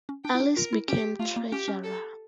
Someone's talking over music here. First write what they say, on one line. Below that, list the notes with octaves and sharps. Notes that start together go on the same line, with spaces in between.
Allis became Treasurer.
C#4
D4 G5
E4
D4
F4 A#4
E4
C#4 G4
A3 F4
A#3
C#4 G4
C#4
A4